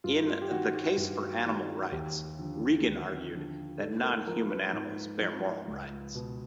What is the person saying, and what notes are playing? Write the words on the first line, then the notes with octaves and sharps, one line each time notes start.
In "The Case for Animal Rights", Regan argued that non-human animals bear moral rights.
G2 F4
F4
G4
D#3 F#4
F#4
G2
D#3
D#2 G4
D3 F3
D#2
D3 F3
G#2 A4
A#4
F3 A#4
B4
G#2
F3
C#2
B2